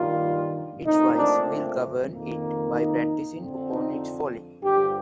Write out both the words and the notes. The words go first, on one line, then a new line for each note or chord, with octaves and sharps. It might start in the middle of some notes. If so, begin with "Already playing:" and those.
Its vice will govern it, by practising upon its folly.
Already playing: G2 D#3 G3 A#3 F4
A#2 A3 C4 D#4
D4
F2 D#3 A#3
D#4
F2 D3 F3 C4
D#4
G2 D3 F3 G4